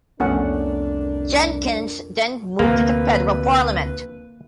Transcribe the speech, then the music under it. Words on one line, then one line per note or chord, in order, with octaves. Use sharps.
Jenkins then moved to the Federal Parliament.
C2 F2 A3 B3 C#4 D4 A#4 F#5
D2 C3 F3 A#3 B4